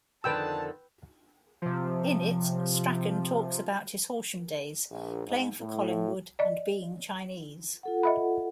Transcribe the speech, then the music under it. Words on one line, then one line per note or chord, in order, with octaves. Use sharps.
In it, Strauchan talks about his Horsham days, playing for Collingwood, and being Chinese.
F2 D3 D#3 B4 G5 A5 E6
C3 F3
A#1
G#2
A2
D5 D#5
F4 A4 F#5
D#5 E5 B5